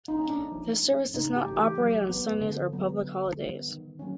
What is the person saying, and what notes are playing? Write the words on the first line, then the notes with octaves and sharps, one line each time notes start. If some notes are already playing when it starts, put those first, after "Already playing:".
The service does not operate on Sundays or public holidays.
D#4
A#3 C#4
D4
F3
A3 C4
C#3 D#4
G4
E3 A3
G4
F#3
B3
D3
F#3 B3
D3
G3 B3
D#3
F#3 A#3 C#4